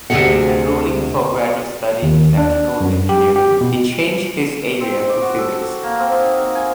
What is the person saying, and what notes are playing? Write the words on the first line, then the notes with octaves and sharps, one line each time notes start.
Enrolling for graduate study in electrical engineering, he changed his area to physics.
D2 C3 F#3 A#3 G#4 F#5
D#2
D4
F#2
G4
G4
B2
C4
D6
F#4
A4
A4
A#3
C4
D#4
A#3
G#5